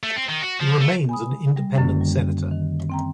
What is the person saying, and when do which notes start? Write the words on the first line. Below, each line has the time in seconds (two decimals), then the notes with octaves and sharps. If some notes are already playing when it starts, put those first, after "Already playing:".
He remains an independent senator.
0.03 A3
0.16 C4
0.29 D#3
0.43 F#4
0.61 F3
0.81 A3
1.09 G#5 B5 D#6
1.56 G3
1.78 F#2 D3 D#3 A#3 C#4
2.01 G3
2.51 D#3
2.90 C4 G5 A#5